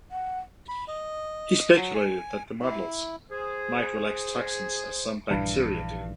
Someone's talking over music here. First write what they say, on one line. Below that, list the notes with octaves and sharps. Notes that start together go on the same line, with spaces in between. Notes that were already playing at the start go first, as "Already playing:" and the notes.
He speculated that molds might release toxins, as some bacteria do.
F#5
B5
D#5
F#3
G#5
E4
G#4 C5
A#1 G2 E3